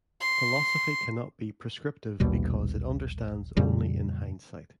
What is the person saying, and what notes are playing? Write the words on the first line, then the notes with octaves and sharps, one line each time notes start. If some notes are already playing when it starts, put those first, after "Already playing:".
Philosophy cannot be prescriptive because it understands only in hindsight.
C6
A#1 D#2 B2 G3
F2 A#2 C#3 G3